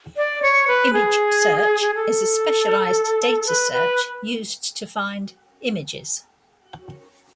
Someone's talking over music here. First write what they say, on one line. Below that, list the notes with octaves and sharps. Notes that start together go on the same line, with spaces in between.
Image search is a specialized data search used to find images.
D5
C#5
B4
G#4
G#4
A4
B4
B4